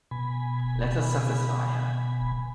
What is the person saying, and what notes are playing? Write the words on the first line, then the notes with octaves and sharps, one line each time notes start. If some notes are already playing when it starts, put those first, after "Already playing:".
Let us satisfy her.
B2 G#5 B5